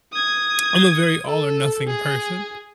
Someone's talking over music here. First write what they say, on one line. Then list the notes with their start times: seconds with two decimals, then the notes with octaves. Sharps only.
I'm a very all or nothing person
0.13 D#6 G#6
1.27 A4
1.88 G#4